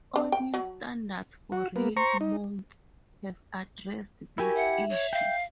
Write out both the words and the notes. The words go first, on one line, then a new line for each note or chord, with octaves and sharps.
All new standards for rail mounts have addressed this issue.
D4
G5
F#3
F#4
A#3 B3
C5 A#5 C#6
D#4
E4 F#4 G4 A#4 G#5
E5 F#5
C#5
F5 G5